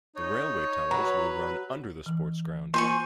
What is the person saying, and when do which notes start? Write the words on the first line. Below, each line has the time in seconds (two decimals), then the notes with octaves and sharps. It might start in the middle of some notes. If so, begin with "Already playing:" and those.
The railway tunnels will run under the sports ground.
0.16 D#4 C#5
0.91 F#3 B4 A#5
2.06 E3
2.74 A#3 F4 C5 G#5 C6 C#6